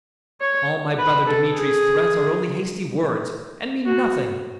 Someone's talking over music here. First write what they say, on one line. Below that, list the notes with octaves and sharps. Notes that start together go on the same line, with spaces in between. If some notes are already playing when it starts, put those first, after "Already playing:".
All my brother Dmitri's threats are only hasty words and mean nothing.
C#5
B4
A4
G#4
F#4